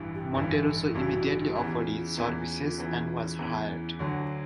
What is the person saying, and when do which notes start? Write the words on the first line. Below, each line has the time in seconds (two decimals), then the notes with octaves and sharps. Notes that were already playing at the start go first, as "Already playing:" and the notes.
Monterosso immediately offered his services and was hired.
Already playing: A1 G2 E3 G3
0.15 G4
0.34 A1 G2 E3 G3
0.95 A1 G2 E3 G3 F#4
1.56 E2 C#3 E3 G4
1.76 F4
1.97 F4
2.17 E2 C#3 E3 F4
2.78 E2 C#3 E3
3.39 E2 C#3 E3 E4
3.99 D2 D3 F#3 D4